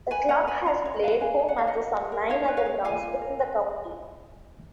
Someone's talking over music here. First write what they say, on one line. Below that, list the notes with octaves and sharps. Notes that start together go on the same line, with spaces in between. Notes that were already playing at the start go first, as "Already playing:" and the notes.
The club has played home matches on nine other grounds within the county.
B4 G#5 B5
B4 F#5 A#5
B4 G#5 B5
C#4 F#5 A#5
C#4 C#5
D#5
B4 F5
F#5
B4 F5 G#5
G#4
F#5
G#4 F5
D#5 F#5
F#4
F#4
A#4
D#4 C#5 F5
B4
C#5 F5
G#4
F4 F5 G#5
F4
A#4
B4